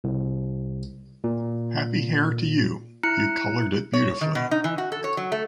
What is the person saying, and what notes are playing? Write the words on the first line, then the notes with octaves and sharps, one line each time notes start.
Happy hair to you. You colored it beautifully.
C2
A#2
E4 A#5 F#6 C#7
C#5
D#3
B2
D#4
E3
F#4
A4
C#5
F#3
A3